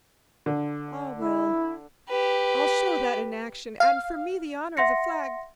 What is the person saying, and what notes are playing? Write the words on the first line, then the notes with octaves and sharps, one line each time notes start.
Ah well, I'll show that in action, and for me the honor of the flag...
D3
E4
G4 B4
F5
E5 F#5 C6 A#6 C#7